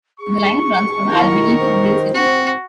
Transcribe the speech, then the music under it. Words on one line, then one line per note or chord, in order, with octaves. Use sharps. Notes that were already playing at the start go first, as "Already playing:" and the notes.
The line runs from Albany to Mill City.
G#4 C#6
D#3 E4 A#4
C5
C4 F#4